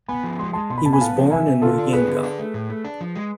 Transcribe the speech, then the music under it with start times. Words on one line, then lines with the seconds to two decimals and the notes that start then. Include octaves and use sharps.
He was born in Muyinga.
0.08 B3 G#5 B5
0.24 F3
0.39 G#3 C6
0.53 G#3 A5 C6
0.70 B2 C6
0.78 B5
0.85 B2 A5
0.93 G#5 B5
1.01 B3 F5 A5
1.16 F3
1.31 C3 E5 G#5
1.47 C3
1.62 D3 F4 A4
1.78 D4
1.93 B3 G#4 B4
2.08 D3
2.23 D4
2.39 A3
2.54 A2
2.70 A3
2.85 D4
3.01 F3
3.15 G#3